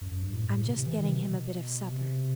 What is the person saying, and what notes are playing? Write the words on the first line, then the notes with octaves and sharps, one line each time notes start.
I'm just getting him a bit of supper.
F#2
F#2
G2
A2
A2
C3
C3
E3
D#3
C3
B2
C3